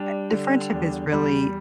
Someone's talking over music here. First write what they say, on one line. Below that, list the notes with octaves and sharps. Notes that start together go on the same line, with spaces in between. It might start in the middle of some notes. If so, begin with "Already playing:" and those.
eh, the friendship is really
Already playing: G3 D4
D3
E2
G3